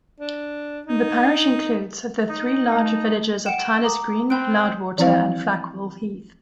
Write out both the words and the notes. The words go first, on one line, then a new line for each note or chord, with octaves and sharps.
The parish includes the three large villages of Tylers Green, Loudwater and Flackwell Heath.
D4
D#4
D#4
A3
F#5 G5 D7 E7
A#5 D6 D#6
C4 G5 B5 F#6 D7
E3 F3 C4 E4 C5 F5